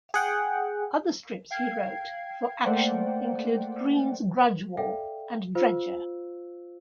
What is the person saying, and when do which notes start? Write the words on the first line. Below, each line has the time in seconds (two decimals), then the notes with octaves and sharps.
Other strips he wrote for "Action" include "Green's Grudge War" and "Dredger".
0.14 G#4 F#5 G5
1.51 F5 G5 G#6 C7
2.65 A3 A#3 C5 D5 F#5 G5
4.77 A4 D5 E5 F5 G5
5.55 F4 C5 F5 E6